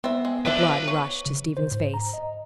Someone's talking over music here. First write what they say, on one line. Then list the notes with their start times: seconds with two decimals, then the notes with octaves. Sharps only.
The blood rushed to Stephen's face.
0.04 B3 C4 E5
0.25 G#3
0.45 F3 D4 B4 E5 C6
0.88 C#5
1.26 C#3
1.57 C5
1.72 G#2
1.94 A#5
2.14 D#5